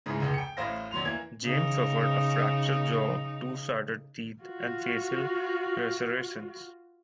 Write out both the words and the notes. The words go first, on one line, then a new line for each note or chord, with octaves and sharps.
James suffered a fractured jaw, two shattered teeth and facial lacerations.
G#2 C#3 E3 G#3
F1 C#2 G#3
G5 C#7
A1 A2 C5 F5 A#6
D#1 F#3 C6 F7
E3 A#3 G#6
C#3 D#4
F4 F#4